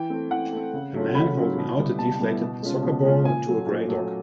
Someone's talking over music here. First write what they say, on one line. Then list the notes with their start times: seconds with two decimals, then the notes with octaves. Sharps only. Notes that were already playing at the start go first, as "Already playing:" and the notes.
A man holding out a deflated soccer ball to a gray dog.
Already playing: E3 G5
0.10 A3 C4
0.31 E3 F#5
0.52 A3 C4
0.74 C#3
0.94 F#3 A3 C#4 F4
1.15 C#3 B5
1.37 F#3 A3 C#4 F4
1.58 B2
1.78 G3 B3 E4
1.99 B2 A5
2.20 G3 B3 E4
2.41 B2
2.63 G#3 C#4 F4
2.83 B2
3.04 G#3 C#4 F4
3.25 A#2 G#5
3.46 F#3 A3
3.67 A#2
3.88 F#3 A3